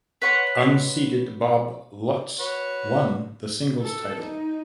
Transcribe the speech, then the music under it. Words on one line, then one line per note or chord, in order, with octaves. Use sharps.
Unseeded Bob Lutz won the singles title.
B4 C#5 F#5 C6
F#4 B4 C#5
A4
D#4